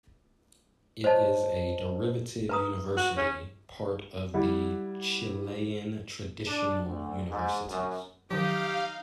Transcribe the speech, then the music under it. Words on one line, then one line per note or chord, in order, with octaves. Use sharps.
It is a derivative university part of the Chilean Traditional Universities.
C5 C#5 D#5 A5
B4 A#5 D#6
F#4
C#4
G3 E4 F#5
D4
D2
G#2
F#2
D#3 F3 F#3 D#4 G4 F5